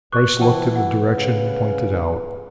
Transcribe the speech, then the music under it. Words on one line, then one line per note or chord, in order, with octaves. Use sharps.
Bryce looked in the direction pointed out.
B4 C#6 D6 F#6
E3 C5 F#5 G5 A5
B4 F#5
C#3